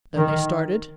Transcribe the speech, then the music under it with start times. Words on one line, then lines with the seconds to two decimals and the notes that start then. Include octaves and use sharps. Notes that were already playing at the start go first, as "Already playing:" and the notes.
"Then they started?"
0.16 D#3